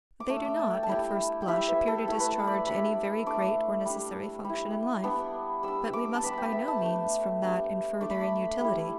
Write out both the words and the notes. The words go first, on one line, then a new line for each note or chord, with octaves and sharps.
They do not, at first blush, appear to discharge any very great or necessary function in life; but we must by no means, from that, infer their inutility.
D6
A3 D4 E6
D6
A5
G5
A5
G3 E4 G5
G5
G3 E4 E5
B4
A4
A3 E4 A4
B4
A4
D5
G3 D4 B5
A3 D4 D6
G3 D4
G3 E4
G3 B3 D4
G3 D4 E6
D6
A5
G3 B3 D4 B5
G5
E5
A5
A3 D4
G3 D4
A3 D4 D6
B5
D6
G3 E4